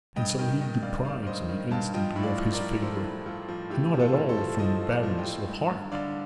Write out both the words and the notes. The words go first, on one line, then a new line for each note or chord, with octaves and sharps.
And so he deprives me instantly of his favor, and not at all from badness of heart.
G2 D#5 G5
D#3 D#5 G5
D#3 D#5 G5
G2 D5 F5
D#3 D5 F5
G2 C5 D#5
D#3
G2 F5 A5
F3 D#5 G5
A2
D5 F5
F3
A#4 D5
F3
F3 A4 C5
A2
F3 F4 A4
F3
A2 G4
F3
F4 A4
A2
A4 C5
F3
F3 C5 D#5
F3
D5 F5
F3
D#5 G5
F3
G2
G2
D3 D5 F5